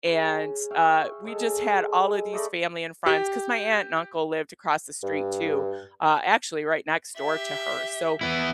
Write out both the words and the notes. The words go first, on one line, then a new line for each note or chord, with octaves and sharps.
and, uh, we just had all of these family and friends, 'cause my aunt and uncle lived across the street too, uh, actually right next door to her, so
C#3
E5 F5 G5 C#6
C#3 G#3 A4
A3 D5 D#5 B5
G4
G2
G4 E5
E3 B3 E4